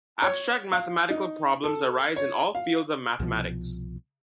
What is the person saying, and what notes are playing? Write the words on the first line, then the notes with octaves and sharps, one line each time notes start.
Abstract mathematical problems arise in all fields of mathematics.
C#5
F5
D#4
A4
C#5
F5
C2 B2 D3 F3